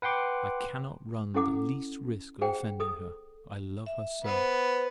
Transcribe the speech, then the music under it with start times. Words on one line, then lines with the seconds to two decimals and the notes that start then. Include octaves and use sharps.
I cannot run the least risk of offending her--I love her so.
0.02 B4 F#5 G5 C6 D6
1.34 C#4 E4 A4 F#5 D6
2.41 G#4 C5 F#5 G5
2.80 A4 D#6
3.86 E5
4.24 B3 B4 C5